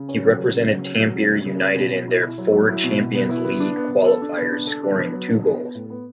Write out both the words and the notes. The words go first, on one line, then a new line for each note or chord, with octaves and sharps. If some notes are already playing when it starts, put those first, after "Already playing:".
He represented Tampere United in their four Champions League Qualifiers scoring two goals.
Already playing: C#3
C#4
F#3
C#3
C#3
F#3
C#4
F#3
C#3
C#4
C#3
C#4
B2
B2
E4
E4
F#3
F#3
E4
B2
B2
B3
E4
B3
D4
B3
B3
A4
D4
B3
D4
A4
D4
B3
F#3
D4
B3
B3
A2
B3